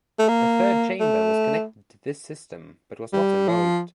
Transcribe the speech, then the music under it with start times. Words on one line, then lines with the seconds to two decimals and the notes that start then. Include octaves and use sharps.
A third chamber was connected to this system but was not involved.
0.19 A3
0.29 A#3
1.00 A3
3.13 G3
3.49 F3